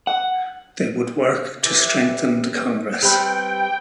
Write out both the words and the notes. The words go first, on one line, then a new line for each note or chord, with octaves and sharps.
They would work to strengthen the Congress.
F#5
E3 G4
G3 C4 B4 G5